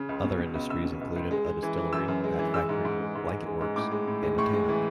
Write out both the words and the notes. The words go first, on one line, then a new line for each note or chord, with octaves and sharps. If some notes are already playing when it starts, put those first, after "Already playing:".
Other industries included a distillery, hat factory, blanket works, and a tannery.
Already playing: C#3
C#2
B2
B2
C#2
C#2 E6
B2
C#2
C#2
G#3
G#3
E3
E3
F#2 E6
F#2
G#3
E3
G#3 E6
G#2
G#2
G#3
G#2
G#3
G#3
G#2
A2 D6
G#3
A2
G#3
A2 C#6
G#3
E3